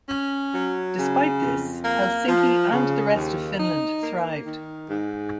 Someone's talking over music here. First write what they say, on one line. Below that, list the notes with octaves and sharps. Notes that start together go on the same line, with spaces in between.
Despite this, Helsinki and the rest of Finland thrived.
C#4
F#3
C#3
F2
A#3
F3
C#3
D#2
D#4
A#3
D#3
G#2